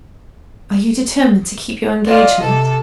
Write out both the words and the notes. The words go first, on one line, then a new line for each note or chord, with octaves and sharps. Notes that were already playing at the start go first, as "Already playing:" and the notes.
"Are you determined to keep your engagement?"
F4 D5 D#5
C3 A4